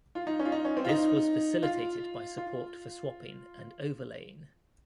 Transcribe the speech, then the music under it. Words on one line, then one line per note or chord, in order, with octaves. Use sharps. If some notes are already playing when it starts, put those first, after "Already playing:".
This was facilitated by support for swapping and overlaying.
F4
D#4
C#4
F4
D#4
C#4
C4
F4
D#4
F4
F4